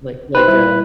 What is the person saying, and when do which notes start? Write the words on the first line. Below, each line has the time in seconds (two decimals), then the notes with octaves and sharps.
Like, like, uh
0.35 D#4 G4 B4 C5
0.48 G3 E4